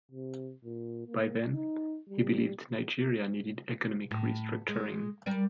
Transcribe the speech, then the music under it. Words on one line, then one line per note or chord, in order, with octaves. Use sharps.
By then, he believed Nigeria needed economic re-structuring.
C3
A#2
A#3
D#4
G3
A2
G#3
G3 A#4 D5